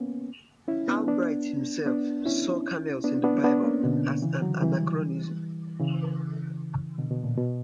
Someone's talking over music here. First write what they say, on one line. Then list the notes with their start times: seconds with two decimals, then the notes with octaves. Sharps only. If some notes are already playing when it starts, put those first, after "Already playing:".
Albright himself saw camels in the Bible as an anachronism.
Already playing: A#3 B3 C#4
0.68 C#4 E4
0.88 B3 D4
1.08 B3 D4
1.86 B3 D4
2.26 C#4 E4
3.04 B3 D4
3.24 B3 D4
3.44 B3 D4
3.63 A#3 C#4
3.83 B2 D3
4.22 C#3 E3
4.42 D3 F#3
4.62 E3 G3
5.79 C#3 E3
6.98 B2 D3
7.11 B2
7.24 A#2
7.38 B2